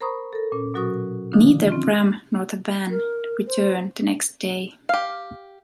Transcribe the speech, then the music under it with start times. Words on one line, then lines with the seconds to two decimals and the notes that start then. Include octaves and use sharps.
Neither Bram nor the van return the next day.
0.01 A#4 C5 A#5 B5 C#6 D#6
0.33 A4 A#4
0.52 A#2 C#4
0.74 B2 F#3 F#4 A#4 C#6 D#6
1.33 D3 D#3 F3 D4 D#4
1.68 C4 C#4 F4
2.90 A#4
3.47 C5
4.89 G4 F5